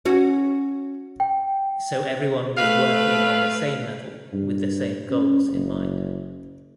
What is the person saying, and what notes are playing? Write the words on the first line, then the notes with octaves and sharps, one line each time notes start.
So everyone was working on the same level with the same goals in mind.
C#4 F#4
G5
A3 B4 F5
G2
C#4
F#1